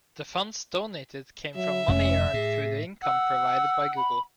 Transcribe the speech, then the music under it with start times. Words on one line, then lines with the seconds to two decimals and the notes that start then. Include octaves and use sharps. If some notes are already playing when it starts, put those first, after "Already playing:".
The funds donated came from money earned through the income provided by Google.
1.55 F#3 E5
1.88 F1 F2 A3 C#4
2.34 A2 G#4
3.03 F#5 E6
3.96 B5